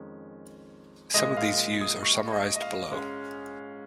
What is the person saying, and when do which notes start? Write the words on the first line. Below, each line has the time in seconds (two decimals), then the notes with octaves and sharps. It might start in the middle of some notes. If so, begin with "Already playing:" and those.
Some of these views are summarized below.
Already playing: F2 D#3 G#3 C#4
1.14 A#1 A#2 G#3 D#5
1.37 F5
1.81 D#6
2.03 C#6
2.32 D#5
2.56 D#5
2.62 F5
2.91 G#2 G#3 C#4